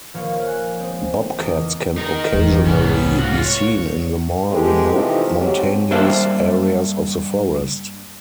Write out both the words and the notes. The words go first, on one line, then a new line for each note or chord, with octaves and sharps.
Bobcats can occasionally be seen in the more remote mountainous areas of the forest.
D#1 F3 A#3 C#5 F5
G#5 F#6
G#3 C4
E2 D#5 A#5
D#4 A#4
E2 E3
C2 G#2 B3 C#4
F4 F#4
C#5
G#3 A3 B3 C4 G4 A4
C3 E3 F3 A3 D#4
G#2 B2 F#3 C4 G4
G2 A#3 D4 C5 E5 F5